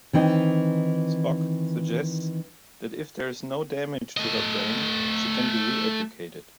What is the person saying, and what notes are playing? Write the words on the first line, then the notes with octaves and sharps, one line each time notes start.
Spock suggests that if there's no damage to her brain, she can be re-educated.
D#3 E3 C4 D#4
A3 D#5